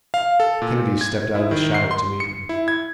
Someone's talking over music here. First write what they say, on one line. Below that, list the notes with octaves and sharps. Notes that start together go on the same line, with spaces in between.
Kennedy stepped out of the shadow to meet him.
F5
A4
A#2
G#6
E4
D#3
C7
C6
C#7
E4
G#6